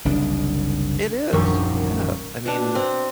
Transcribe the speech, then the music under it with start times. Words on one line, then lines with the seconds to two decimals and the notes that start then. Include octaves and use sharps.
It is. Yeah. I mean
0.05 F#1 C2 D#3 D4
1.32 D#1 A#1 F#2 D#3 G4 C#6
2.46 B2 D4
2.75 C4